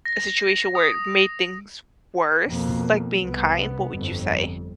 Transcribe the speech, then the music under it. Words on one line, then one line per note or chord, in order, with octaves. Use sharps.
a situation where it made things worse, like being kind, what would you say?
A#6
D#6
F2 B2 A#3
C2 B3
G1 F2